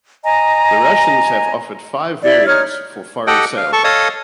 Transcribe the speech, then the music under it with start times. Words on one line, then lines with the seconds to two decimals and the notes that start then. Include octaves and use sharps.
The Russians have offered five variants for foreign sale.
0.24 D#5 G#5 A#5
2.23 E4 D5
2.47 D#4 C#5 F6 G#6
3.27 G4 A4 D#5 F#5 G5
3.57 F5
3.73 A4 A5 C#6
3.84 A4 C#5 D#5 F5 A5 D#6